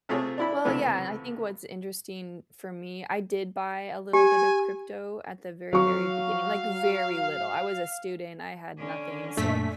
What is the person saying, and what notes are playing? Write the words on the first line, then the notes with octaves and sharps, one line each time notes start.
Well, yeah, and I think what's interesting, for me, I did buy a little bit of crypto at the very, very beginning like, very little. I was a student, I had nothing, so,
C3 A3 C4 F4 G#4 C#5
D4 E4 B5
C#2 C3 E3 A3 B3
G4 G#5
F#3 F5 C#6
D3 C#4
F#2 A#2 A3 D4 B6